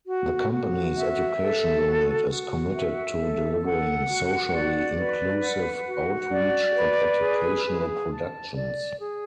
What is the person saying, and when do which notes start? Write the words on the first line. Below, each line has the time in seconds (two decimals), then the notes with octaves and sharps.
The company's education unit is committed to delivering socially inclusive outreach and educational productions.
0.07 F#4
0.51 F#4
0.97 E5
1.40 A4
1.86 F#4
2.30 F#4
2.74 E5
3.19 A4
3.63 F#5
4.08 F#4
4.53 D5
4.97 B4
5.42 F#5
5.87 F#4
6.31 D5
6.76 B4
7.20 G#4
7.65 G#4
8.10 A5
8.55 D5
8.99 G#4